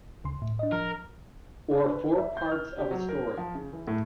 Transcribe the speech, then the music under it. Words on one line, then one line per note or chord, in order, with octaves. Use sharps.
Or four parts of a story.
D2 C#3 C6
A2
D4 D#5
F3 A#4
D4
B4
E5
G6
F6
G4
F#3
A#4
F3
C#3
E3
A2